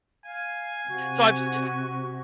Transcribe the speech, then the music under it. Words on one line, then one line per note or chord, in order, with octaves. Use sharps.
So I've yeah.
F5 G#5
C3 F#4